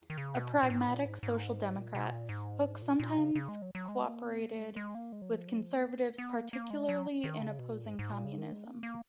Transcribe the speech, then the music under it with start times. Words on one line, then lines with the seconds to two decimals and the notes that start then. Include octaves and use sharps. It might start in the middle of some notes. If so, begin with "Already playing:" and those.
A pragmatic social democrat, Hook sometimes cooperated with conservatives, particularly in opposing communism.
0.10 D#3
0.18 C#3
0.35 B2
0.52 A#2
0.63 A#2
0.70 G#2
0.88 A#2
1.06 G#2
1.23 G#2
1.76 A#2
1.95 B2
2.12 A#2
2.29 G#2
2.82 A#2
3.00 A#2
3.18 C#3
3.35 C#3
3.48 G#3
3.62 F#3
3.75 F#3
3.88 G#3
4.05 A#3
4.23 B3
4.41 A#3
4.59 G#3
4.76 G#3
4.95 A#3
5.12 G#3
5.22 F#3
5.29 F3
5.48 F#3
5.60 F3
5.74 A#3
5.87 B3
6.18 B3
6.36 A#3
6.53 A#3
6.70 G#3
6.89 F#3
7.24 D#3
7.41 C#3
7.59 B2
7.72 A#2
7.85 G#2
7.99 G#2
8.12 A#2
8.25 C#3
8.38 D#3
8.52 G#3
8.65 A#3
8.83 A#3